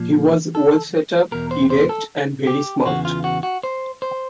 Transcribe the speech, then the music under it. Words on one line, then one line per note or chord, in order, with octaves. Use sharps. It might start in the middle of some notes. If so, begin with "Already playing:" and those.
He was well set-up, erect, and very smart.
Already playing: A#2 F3
A4
E2 B2 A#4
C5
C5
A4
G4
E2 C#3 E3 F#4
F4
F#4
F#4
C5
C5